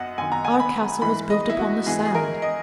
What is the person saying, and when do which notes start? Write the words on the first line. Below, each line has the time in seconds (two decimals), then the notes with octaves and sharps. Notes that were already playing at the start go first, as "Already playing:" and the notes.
Our castle was built upon the sand.
Already playing: F#2 D#5 F#5
0.18 F#2 D#3 G#5
0.32 A#5
0.45 G#5
0.60 B5
1.01 G#2 E3 B5
1.30 D#5
1.50 E4
1.58 F#4
1.86 G#2 E3 G#4
2.05 G#4
2.15 A#4
2.42 D#5